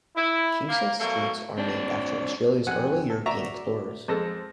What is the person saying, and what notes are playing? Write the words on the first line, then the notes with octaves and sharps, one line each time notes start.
Kingston's streets are named after Australia's early European explorers.
E4
A#3
B2 F#3 A3 A#3
C4 D4
F2 C4 F#5 G#5 F#6
A4
F#4 D5 E5 A#5 C#6 D6
F2 G#3 A4 C5 A5 A#6